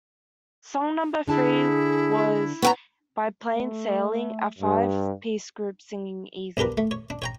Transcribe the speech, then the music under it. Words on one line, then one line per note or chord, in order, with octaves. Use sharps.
Song number three was by Plain Sailing, a five-piece group singing "Easy".
D3 D4 E4 G#4 A5
B3 G5 A#5 C#6
A3
G2
B1 D4 G4 A#4 B4
A3
C#5
D4
C#5 G5 A#5